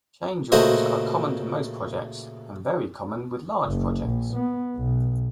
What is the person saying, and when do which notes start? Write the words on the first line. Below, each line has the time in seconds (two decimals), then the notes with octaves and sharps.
Change orders are common to most projects, and very common with large projects.
0.52 A#2 C#3 A3 F#4 C5 D#5
3.66 F#1
4.05 A#1
4.34 B3
4.77 B1